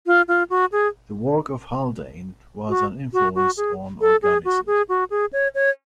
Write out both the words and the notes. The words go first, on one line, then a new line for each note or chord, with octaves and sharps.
The work of Haldane was an influence on organicism.
F4
F4
F#4
G#4
F#4
F#4
F#4
G#4
A4
G#4
F#4
G#4
F#4
G#4
C#5
C#5